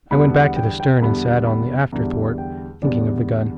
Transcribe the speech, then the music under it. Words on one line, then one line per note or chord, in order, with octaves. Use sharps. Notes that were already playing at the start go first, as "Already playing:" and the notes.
I went back to the stern and sat on the after thwart, thinking of the gun.
E2 D3 G3 B3 B5
F#5
G5
G5
E2 D3 G3 B3 B5
B5
E2 D3 G3 B3 A#5
G5
E2 D3 G3 B3 D5